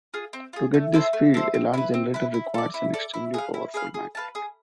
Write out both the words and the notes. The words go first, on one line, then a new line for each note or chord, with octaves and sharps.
To get this field, a large generator requires an extremely powerful magnet.
F4 G#4
C4
F4 G#4
A3
E4 A4 C5
A3
E4 A4 C5
C4
E4 B4
C4
E4 B4
E4
A4 D5
E4
A4 D5
E4
G#4 B4 F5
E4
G#4 B4 F5
G#4
B4 F5 A5
G#4